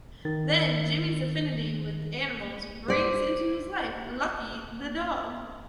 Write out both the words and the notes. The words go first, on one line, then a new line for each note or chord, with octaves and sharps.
Then Jimmy's affinity with animals brings into his life 'Lucky' the dog.
D#3 A6
C5 D5